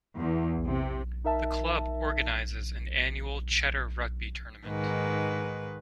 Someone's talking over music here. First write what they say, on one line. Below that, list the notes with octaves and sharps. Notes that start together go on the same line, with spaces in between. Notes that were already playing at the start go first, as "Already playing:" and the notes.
The club organises an annual Cheddar Rugby Tournament.
E2
C3
D#4 A#4 E5 A5
G#2 D#3 B4